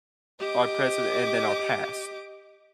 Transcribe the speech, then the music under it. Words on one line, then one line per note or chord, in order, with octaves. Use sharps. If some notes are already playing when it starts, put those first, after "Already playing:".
our present and then our past.
G4 D#5 D6